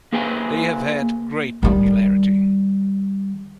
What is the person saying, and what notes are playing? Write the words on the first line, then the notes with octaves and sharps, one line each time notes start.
They have had great popularity.
A#3 G#4 B4 C5 G5 G#5
D#3 G3